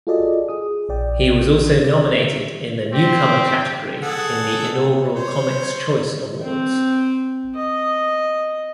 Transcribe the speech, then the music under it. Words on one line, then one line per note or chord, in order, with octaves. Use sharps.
He was also nominated in the Newcomer category in the inaugural Comics Choice awards.
F4 F#4 G#4 A4 D5 D#5
G#4 D#6
A#1 D5 G5
D5
E5
C4 G4
G#4 A4 F#5
C5 C#5
C4
D#5